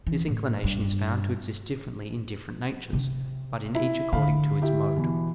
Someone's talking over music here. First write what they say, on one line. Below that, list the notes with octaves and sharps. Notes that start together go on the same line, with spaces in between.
This inclination is found to exist differently in different natures; but in each according to its mode.
E3
A2
G2
C3
E4
D3 F5 B5
E4 G4
B2 E3